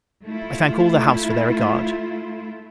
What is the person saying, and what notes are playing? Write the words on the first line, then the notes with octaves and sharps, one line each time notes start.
I thank all the house for their regard.
A3 E4 F4